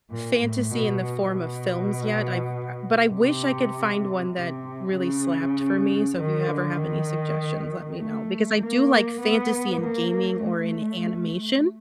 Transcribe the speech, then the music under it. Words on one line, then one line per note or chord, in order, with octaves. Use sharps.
fantasy in the form of films yet, I've but I wish I could find one that really slapped for me. So if you ever have any suggestions, let me know. Because I do like fantasy in gaming or in animation,
A#2
A2
B2
B2
C3
C3
C#3
D#3
D3
D#3
A3
A#3
B3
A#3
A3